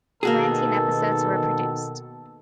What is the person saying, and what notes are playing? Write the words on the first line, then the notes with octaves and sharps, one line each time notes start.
Nineteen episodes were produced.
B2 D#3 A#3 F#4 G#4 A4